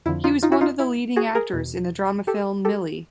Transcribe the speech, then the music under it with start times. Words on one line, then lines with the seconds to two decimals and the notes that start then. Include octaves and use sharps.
He was one of the leading actors in the drama film "Millie".
0.06 F2 D3 F3 E4
0.24 D#4 F4
0.43 D#4 F4
0.52 E4 F#4
0.61 D#4 F4
0.80 E4
1.16 F#4 G#4
1.35 G#4 A#4
1.53 E2 B2
2.27 G4 A4
2.65 G4 A4